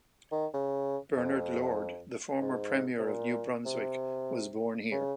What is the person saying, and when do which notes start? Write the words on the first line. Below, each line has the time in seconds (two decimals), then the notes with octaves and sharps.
Bernard Lord the former Premier of New Brunswick was born here.
0.32 D#3
0.54 C#3
1.16 F2
2.41 G#2
2.99 C3
3.04 A#2
3.66 C3
4.91 C#3